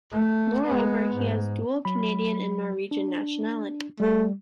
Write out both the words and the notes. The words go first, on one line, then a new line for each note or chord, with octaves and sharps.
Moreover, he has dual Canadian and Norwegian nationality.
A3
G#3 B3
G#2
F#3 B5
D4
G3 A3